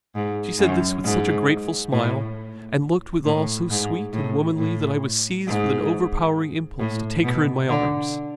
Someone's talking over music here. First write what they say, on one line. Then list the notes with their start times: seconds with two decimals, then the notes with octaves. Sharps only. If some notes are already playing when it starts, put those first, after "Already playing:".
She said this with such a grateful smile, and looked withal so sweet and womanly that I was seized with an overpowering impulse to take her in my arms.
0.16 G#2
0.59 F#2
1.04 G#2
1.93 A2
3.25 A2
3.70 G#2
4.13 A2
4.58 A2
5.47 G#2
6.80 A2
7.24 B2
7.69 D3